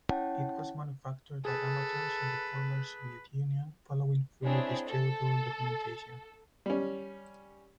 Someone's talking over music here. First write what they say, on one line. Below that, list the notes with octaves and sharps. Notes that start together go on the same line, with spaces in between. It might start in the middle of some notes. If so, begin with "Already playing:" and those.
It was manufactured by amateurs in the former Soviet Union, following freely distributable documentation.
C#4 E4 C#5 F#5 G5 A5
G#4 A4 B4
C4 D4 E4 G#4 C#5
A4
G3 C#4